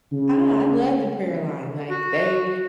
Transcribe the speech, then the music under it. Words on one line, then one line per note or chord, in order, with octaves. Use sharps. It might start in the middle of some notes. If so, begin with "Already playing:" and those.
I I love the prayer line, like, they,
C#3
F#4